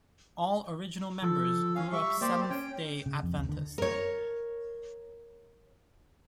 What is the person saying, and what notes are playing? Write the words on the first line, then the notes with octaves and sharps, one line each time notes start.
All original members grew up Seventh-day Adventist.
F3 A4
C#4 F5
G3 E5 C#6
A#3 G4 C5 D5
C#4 G5
C#3
F2
D#2
D3
A#4 C#5